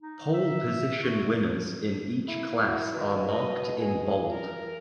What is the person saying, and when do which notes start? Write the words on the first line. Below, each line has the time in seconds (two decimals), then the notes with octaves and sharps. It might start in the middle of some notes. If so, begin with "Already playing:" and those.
Pole position winners in each class are marked in bold.
0.02 D#4
0.33 E5
1.03 F#4
2.28 A#3 E4
2.60 F#4
2.94 B2 D#3
3.29 D#5
3.78 G#4
4.31 A#4